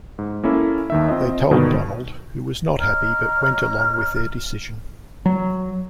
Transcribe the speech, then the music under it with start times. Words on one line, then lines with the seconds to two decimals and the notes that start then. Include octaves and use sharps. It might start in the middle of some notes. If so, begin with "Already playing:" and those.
They told Donald, who was not happy, but went along with their decision.
0.19 G#2
0.43 A#3 C#4 E4 A4
0.90 D#2 D#3 E5
1.08 C4 F4 D#5
1.51 G2 B2 D3 D#3 F#3
2.78 C#5 D#5 A#5 F6
5.26 F#3